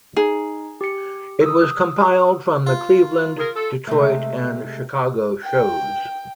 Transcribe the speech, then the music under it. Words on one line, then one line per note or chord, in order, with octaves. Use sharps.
It was compiled from the Cleveland, Detroit and Chicago shows.
D#4 G#4
G4 C#7
D#6 E6
F4
G#4 A#4
A4
C3 G#3 A3
G5